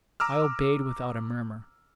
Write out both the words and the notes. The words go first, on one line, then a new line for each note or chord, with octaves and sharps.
I obeyed without a murmur.
A#5 D6 E6 F6